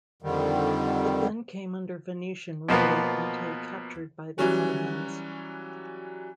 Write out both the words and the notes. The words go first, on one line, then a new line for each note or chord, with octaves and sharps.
It then came under Venetian rule until captured by the Ottomans.
F2 D3 D#3 G3
B2 F3 A#3 B3
E3 F#3 G3 C#4 F#4